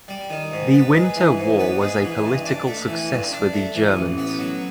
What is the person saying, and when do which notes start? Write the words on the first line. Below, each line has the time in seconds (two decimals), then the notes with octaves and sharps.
The Winter War was a political success for the Germans.
0.08 G3
0.30 D#3
0.51 G#2
0.73 B3
0.95 G#3
1.16 E3
1.37 G#2
1.59 B3
1.81 G#3
2.02 E3
2.24 G2
2.45 D4
2.67 A3
2.88 E3
3.10 G2
3.32 D4
3.53 A3
3.75 E3
3.97 A1
4.18 B3
4.39 F#3